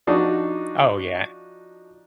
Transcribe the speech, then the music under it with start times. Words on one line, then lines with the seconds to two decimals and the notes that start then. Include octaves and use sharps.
Oh, yeah.
0.07 F3 D4 D#4 F#4